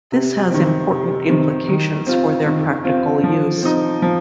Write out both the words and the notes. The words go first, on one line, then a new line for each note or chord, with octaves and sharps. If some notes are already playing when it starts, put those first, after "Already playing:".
This has important implications for their practical use.
C3
D#3 C4
C3
D#3 C4
D#3
C4 F4
D#3
C4 F4
F3
C4 D#4
F3